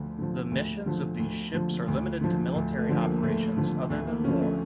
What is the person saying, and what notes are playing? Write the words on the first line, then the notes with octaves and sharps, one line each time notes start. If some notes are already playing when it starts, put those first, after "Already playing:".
The missions of these ships are limited to military operations other than war.
Already playing: D2 D3 F3
D3 F3
D2
D3 F3
D2
D3 F3
D2
D3 F3
D2
A3
D3 F3
A#3
D2 A3
D3 F3
D2 A3
A#3
D3 F3 C#4
A3